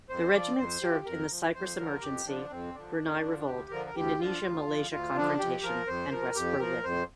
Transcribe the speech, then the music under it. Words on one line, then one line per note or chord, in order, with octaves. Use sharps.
The regiment served in the Cyprus Emergency, Brunei Revolt, Indonesia-Malaysia confrontation and West Berlin.
F2 C5
F3 D5
F2 C5
F3 G4
F2 A#4
F3
F2 C5
D3 F3 A#4
F2 G4
D3 F3 D4
F2 C4
D3 F3 D4
F2
D3 F3
D2 G4
D3 F3 A#4
A#4
D2 G4
D3 F3 F4
D2
D3 F3
D2 F4
D3 F3 D4
F2 G4
F3 A#4
F2 C5
F3 A#4
F2 G4
F3 A#4
F2 C5